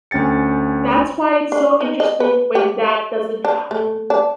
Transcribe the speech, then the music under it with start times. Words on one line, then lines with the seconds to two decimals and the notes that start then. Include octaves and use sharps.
That's why it's so interesting when that doesn't happen.
0.11 D2 C#4 G5 A6 C#7
1.52 D4
1.81 D#4
2.00 D#5
2.20 B4
2.55 G4
3.45 D4
3.71 A3
4.10 D4